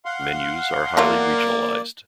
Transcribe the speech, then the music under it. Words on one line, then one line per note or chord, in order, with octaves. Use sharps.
Menus are highly regionalized.
F5 F#5 C6
F#3 A3 A#3 F4 D5